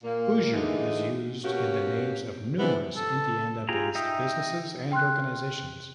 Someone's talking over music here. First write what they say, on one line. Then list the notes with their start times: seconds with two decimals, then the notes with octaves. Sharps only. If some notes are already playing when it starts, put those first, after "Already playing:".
"Hoosier" is used in the names of numerous Indiana-based businesses and organizations.
0.04 A#2 A#3
0.53 D3 E3 G#3 D#4
1.45 B2 A#3 C#4 F#4 G4
2.59 E3 G#3 B3 C4 D4
2.97 A4
3.69 F4 G4 G#4 G5 A#5
3.95 D#4 E5 G5 D#6
4.92 G5 C6 F6 F#6